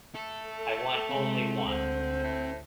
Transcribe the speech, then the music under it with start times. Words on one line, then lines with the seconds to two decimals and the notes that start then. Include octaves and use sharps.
I want only one.
0.15 A3 A4
1.10 C3 G#3 C4
1.67 D2 D3 C5
2.23 A2